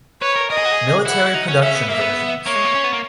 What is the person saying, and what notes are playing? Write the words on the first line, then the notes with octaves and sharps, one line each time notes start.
Military production versions.
B4 C#5
A#4
A#4 D#5
G#4
F#4
G#4
E4 F#5
E4
D#4
C#4
C#4 E5
B3
A#3 E5
B3
A#3 C#5
G#3
A#3
C#4
B3
A#3